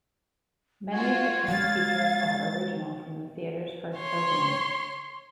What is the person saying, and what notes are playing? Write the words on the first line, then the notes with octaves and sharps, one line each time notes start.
Many of the current features are original from the theatre's first opening.
F4 F#4 G#6
F3 G#3 F5 A6
C#5 C6